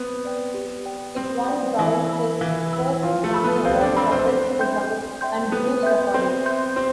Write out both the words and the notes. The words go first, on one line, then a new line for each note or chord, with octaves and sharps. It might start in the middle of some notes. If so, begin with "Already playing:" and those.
It won Brown his first Grammy Award, for Best Rhythm and Blues Recording.
Already playing: B3 C4
B4 D5 G5
G4
B4 D5 G5
C4 G4
B4 D5 G5
E3 E4 F5
B5 E6
E3 E4 F5
B5 E6
F3 F4 F5
A3 A4
B5 E6
B3 B4
C4 C5 F5
D4 D5
C4 C5 B5 E6
C4 C5
A4
E5 G5 C6 G6
A4
E5 G5 C6 G6
B3 A4 B4
E5 G5 C6 G6
C4 A4 C5
E5 G5 C6 G6
C4 G4 C5